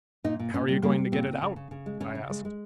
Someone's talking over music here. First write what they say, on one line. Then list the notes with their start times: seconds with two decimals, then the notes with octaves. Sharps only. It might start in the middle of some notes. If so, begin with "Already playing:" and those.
"How are you going to get it out?" I asked.
0.24 A#2 D#4
0.39 A#2
0.54 A#2 C#4
0.69 G3
0.83 G3 A#3
0.98 G3
1.12 A#2 C4
1.27 A#2
1.42 C#3
1.56 C#3
1.71 C#3
1.86 G#3
2.00 C#3 C#4
2.15 C#3
2.30 G#3
2.45 G#3